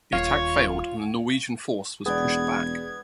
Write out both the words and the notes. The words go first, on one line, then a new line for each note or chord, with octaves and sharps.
The attack failed and the Norwegian force was pushed back.
D#1 F4 C#5 F5
E1 B3 G#4 D5 G#6